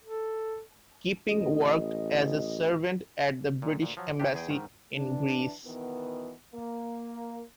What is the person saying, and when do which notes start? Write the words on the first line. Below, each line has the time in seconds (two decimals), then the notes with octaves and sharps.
Keeping worked as a servant at the British Embassy in Greece.
0.03 A4
1.29 A1 D#5
3.62 A#2
3.81 D2 A#2
3.97 F3 F#3
4.20 C3 D4 G4
4.34 E2 G#4 G5
4.50 G#2 D#3
4.95 D2 E3 D4
5.65 B2 D#3 E3 B3
6.54 A#3